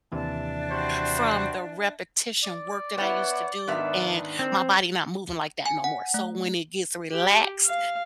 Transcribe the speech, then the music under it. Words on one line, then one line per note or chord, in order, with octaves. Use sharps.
from the repetition work that I used to do and my body not moving, like, that no more so when it gets relaxed,
D#2 C3 E3 D4 E5 A5
G3 F#4 C5
D5
B3 E4 B4 C#5 F#5
G#2 D#3 B3 D4 E5
C4
G#5
F#5
A3
G4
F5